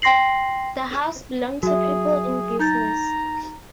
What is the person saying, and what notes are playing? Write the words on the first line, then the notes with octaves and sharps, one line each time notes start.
The house belonged to people in business.
G5 C6 A#6 C7 F#7
F#3 F#4 G#4 E5
D#4 A#5 G6 A6